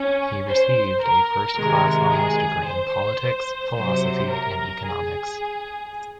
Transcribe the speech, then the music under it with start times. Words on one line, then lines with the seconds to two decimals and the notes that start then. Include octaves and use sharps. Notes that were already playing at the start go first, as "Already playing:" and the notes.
He received a first class honours degree in Politics, Philosophy and Economics.
Already playing: C#4
0.47 C5
1.02 A#4
1.57 C3 D#3 G#3
2.11 G#4
2.66 C5
3.75 C3 F#3 C5
4.31 A#4
4.85 G#4